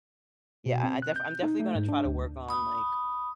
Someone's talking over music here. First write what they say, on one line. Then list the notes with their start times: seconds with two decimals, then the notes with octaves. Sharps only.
yeah, I I defi I'm definitely gonna try to work on, like,
0.66 B2
0.83 C4
1.02 F#6
1.16 G6
1.42 D#4
1.60 A3
1.75 G#2
1.89 D4
2.05 D2
2.49 B5 D#6